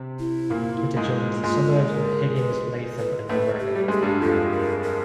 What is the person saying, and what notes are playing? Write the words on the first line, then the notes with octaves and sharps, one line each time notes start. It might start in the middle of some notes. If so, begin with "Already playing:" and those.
It adjoins the suburbs of Higgins, Latham and Macgregor.
Already playing: C3 C4
E4
A#2 A#3
G#2 G#3
G#2 G#3 F4
A#4
B4
B4
A2 A3 B4
G4
G3
G#3 A4
G4
G2 G3
F2 F3 A4
A#4
A#4